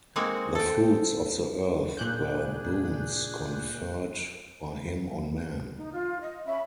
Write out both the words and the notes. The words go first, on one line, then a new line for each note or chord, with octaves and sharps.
The fruits of the earth were boons conferred by him on men.
G#3 A#3 C4 D#4 F#4
A4 G5
A#2 D4 G#4 F#6 G6
D#4
F4
D#5
C#4 E5 B5